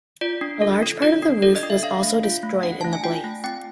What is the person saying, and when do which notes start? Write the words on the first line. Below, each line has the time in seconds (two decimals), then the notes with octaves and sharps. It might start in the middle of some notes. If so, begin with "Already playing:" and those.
A large part of the roof was also destroyed in the blaze.
0.21 F4 D5
0.41 D4
0.62 A4
0.83 D4
1.02 F4 D5
1.22 D4
1.42 A4 D5
1.56 D#5
1.63 D4
1.70 E5
1.83 D4 F5
2.03 A3
2.23 F4
2.43 A3
2.63 D4 F#5
2.81 A3 A5
2.93 G#5
3.03 F4 G5
3.24 A3
3.44 C4 G5